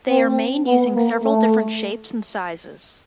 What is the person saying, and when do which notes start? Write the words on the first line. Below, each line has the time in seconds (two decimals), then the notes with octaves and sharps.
They are made using several different shapes and sizes.
0.09 C4
0.66 B3
0.95 A#3
1.23 A3